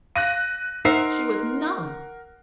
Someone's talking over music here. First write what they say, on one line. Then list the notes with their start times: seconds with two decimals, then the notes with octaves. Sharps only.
She was numb!
0.16 F5 F#6 A#6 D#7
0.85 D#4 A#4 C5 E5 F#5 C7